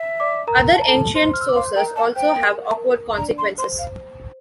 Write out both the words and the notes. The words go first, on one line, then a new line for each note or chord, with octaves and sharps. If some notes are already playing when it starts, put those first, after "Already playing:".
Other ancient sources also have awkward consequences.
Already playing: E5
D5 D6
A#4 A#5
A5
A#5
A4 A5
C5 C6
F6
E6
D6
C5 F5 C6
A#4 G5 A#5
A5
C5 G5
A#4
A#4
D4 D5 A#5
C6
C5 C6
F5